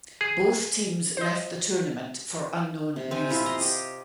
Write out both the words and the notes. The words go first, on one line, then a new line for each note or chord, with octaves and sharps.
Both teams left the tournament for unknown reasons.
G#4
C5 D#5
C3
C4 D#4 G#5
E4 F4 C5 E5
D#5 A#5 C6
G4